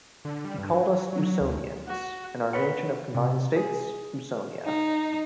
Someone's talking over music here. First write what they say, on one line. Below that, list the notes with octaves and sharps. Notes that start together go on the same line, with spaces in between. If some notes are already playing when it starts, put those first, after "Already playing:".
He called us Usonians, and our Nation of combined States, Usonia.
D3
G3
G2
F#3
F#3
F#3
D2
F#4
B4 C#5 F#5
C3
G#4
D#4